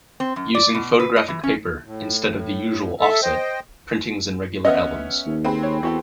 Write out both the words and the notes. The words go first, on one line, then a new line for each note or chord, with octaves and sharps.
Using photographic paper, instead of the usual "off set", printings in regular albums.
C4
F#2
D5
B2
B4
D#5
E3
C#4
A2
A4 E5
C5 D#5 G5
B3 C#4 D#5 E5 F#5
D#2
C4 G#4 B4
C#5
E2 F#4 G4 A4